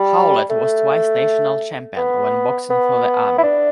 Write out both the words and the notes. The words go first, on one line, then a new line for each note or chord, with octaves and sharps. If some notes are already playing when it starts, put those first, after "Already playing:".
Howlett was twice National Champion when boxing for the Army.
Already playing: G3
A3
B3
B3
E4
D4